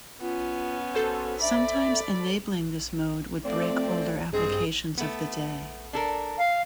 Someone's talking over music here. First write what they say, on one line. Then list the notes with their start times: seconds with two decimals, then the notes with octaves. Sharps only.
Sometimes enabling this mode would break older applications of the day.
0.21 B3 C#4 F4
0.95 F#4 A4 C5
1.41 D5 E5 B5
3.45 F3 A3 C4 D5
4.33 G2 G3 G#3 C4 G#4
4.98 A3 B3
5.93 D4 A4 A#4
6.38 F5